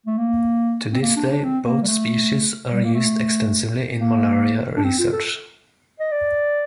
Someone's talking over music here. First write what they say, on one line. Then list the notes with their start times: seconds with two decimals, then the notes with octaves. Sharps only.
To this day both species are used extensively in malaria research.
0.06 A3
0.18 A#3
0.93 C4
1.02 A#3
1.16 D4
1.31 D4
1.44 C4
1.66 A#3
1.82 G3
1.87 A3
2.73 G3
2.84 A#3
2.94 A3
4.00 A#3
4.77 D4
4.85 C4
4.99 F4
5.12 A4
6.00 D#5
6.12 D5